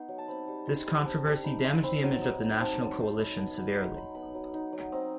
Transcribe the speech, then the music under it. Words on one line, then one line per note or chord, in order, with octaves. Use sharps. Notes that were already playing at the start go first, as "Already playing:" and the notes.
This controversy damaged the image of the National Coalition severely.
Already playing: B3 D#4 C6
F#3
A5
C4 B5
G3 B5
D#4 C6
G3 B5
C4 A5
G3 G5
D#4 B5
G3 C6
C4 B5
F#3
D#4
F#3
C4 A5
F#3
D#4 C6
F#3 B5
B3 A5
F#3 B5
D#4 C6
F#3 B5
B3 B5
F#3
D#4
F#3
C4 D#5